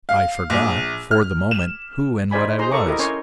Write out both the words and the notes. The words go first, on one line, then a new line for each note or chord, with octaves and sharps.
I forgot, for the moment, who and what I was.
F5
A#1
F6
E7
D#4 C5 D5 G#5 B5
G#4 C5 A#5 C6
A4 A#4 A#5 C#6 D6
E4 G4 A#4 D#5
C#4 A#4 C#5 G#5 C6